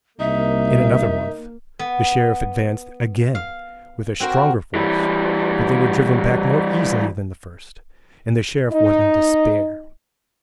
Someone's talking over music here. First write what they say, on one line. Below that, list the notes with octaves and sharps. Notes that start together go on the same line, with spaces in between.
In another month the Sheriff advanced again with a stronger force, but they were driven back more easily than the first, and the Sheriff was in despair.
C2 A#3 D#4 E5
B3
F5
C4 F#4 A#4
E3 G3
D#4 D#5